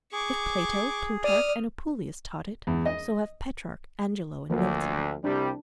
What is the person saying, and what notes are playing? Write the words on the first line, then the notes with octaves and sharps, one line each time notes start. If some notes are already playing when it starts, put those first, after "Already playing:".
If Plato, Plutarch and Apuleius taught it, so have Petrarch, Angelo and Milton.
G#4 C#6 D6
D5 D#6 F6
E2
D#5
D2 F3 A#3
C2 C3 G3 D4